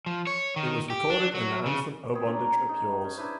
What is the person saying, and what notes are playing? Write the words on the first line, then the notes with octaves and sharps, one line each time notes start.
It was recorded and their anthem Oh Bondage Up Yours!
F3
C#5
D#3
G4
D4
F#3
C#3
C4 G#4 B5
C#4 D4 A#4
A#4
D#4
C#4
D4 E4 B4 C5